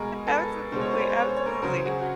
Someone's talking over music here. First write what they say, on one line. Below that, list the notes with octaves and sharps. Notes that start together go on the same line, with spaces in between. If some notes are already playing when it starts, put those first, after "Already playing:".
Absolutely. Absolutely.
Already playing: B2 G#3 G#4 A#4
A4 B4
B2 G#3 C5
C#5
C5
C#5
C5
C#5
C5
C#5
A#4 C5
C#3 F#3 A#4 C5
F#4 G#4
F#4